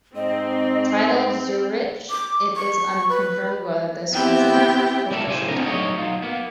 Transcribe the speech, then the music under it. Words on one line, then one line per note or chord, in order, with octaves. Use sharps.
Titled "Zurich", it is unconfirmed whether this was an official title.
G#2 C4 D#5
D6
C#6
B4
B3 C4 E4 G4 G5
G3 G#3 A#3 E4 F#4 A4
C#3 E4 G4 C5 G#5
B3 C4 D4 D#4 A4 A#4
F#3 G3 A3 D#4 C#5 D#5
F#3 D#4 F4
A#3 B3